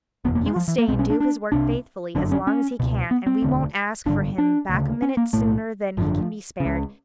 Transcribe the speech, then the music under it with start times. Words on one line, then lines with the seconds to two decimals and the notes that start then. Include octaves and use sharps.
He will stay and do his work faithfully as long as he can, and we won't ask for him back a minute sooner than he can be spared.
0.25 F#1 E2 B2 B3
0.35 A#3
0.46 G#3
0.56 F3
0.68 E3
0.78 A#3
0.88 B1 C4
0.92 B2
0.99 C#4
1.10 D4
1.20 D4
1.52 C2 C3 D4
2.15 G1 F#2 D3 D4
2.32 C#4
2.47 C#4
2.80 C#2 B2
3.11 B3
3.27 C4
3.42 E1 D2 D3
4.06 G#1 G2 D3 D4
4.38 D4
4.69 D2 C#3
5.02 C#4
5.17 A#3
5.33 B1 A2 A3
5.97 G#1 F#2 D3 F3
6.60 C#3
6.65 C#2